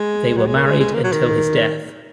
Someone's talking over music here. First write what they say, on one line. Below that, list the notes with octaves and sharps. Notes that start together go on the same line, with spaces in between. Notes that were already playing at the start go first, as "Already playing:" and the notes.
They were married until his death.
Already playing: G#3
F#3
G#3
A#3
G#3
G#3
A#3
F#3
D#3